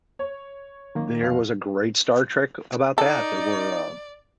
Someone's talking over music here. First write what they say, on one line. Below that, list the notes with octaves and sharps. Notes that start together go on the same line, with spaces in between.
There was a great Star Trek about that. There were, uh
C#5
D#3 A#3
F1 F5
D#4 A4 D5